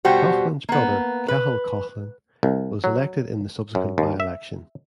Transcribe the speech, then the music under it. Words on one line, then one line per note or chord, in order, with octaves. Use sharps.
Coughlan's brother, Cathal Coughlan, was elected in the subsequent by-election.
B2 G3 F#4 G4 C5
A#3 B3
B4
C2
F#3
F#2
D#2
E5